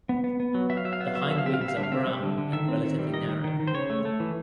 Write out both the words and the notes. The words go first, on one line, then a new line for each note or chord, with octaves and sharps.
The hindwings are brown and relatively narrow.
B3
B3
B3
F#3
F#3 E5
F5
F#3 E5
F5
B3 E5
F5
F#3 E5
F5
D3 E5
F5
C4 E5
F5
G3 E5
F5
D3 E5
F5
C4 E5
G3
D3
D3
D#3 E5
C4
D#3
G3
D#3 D#5
D#3
D#3
D#3
C5
C#3 C#5
A3
A3
E3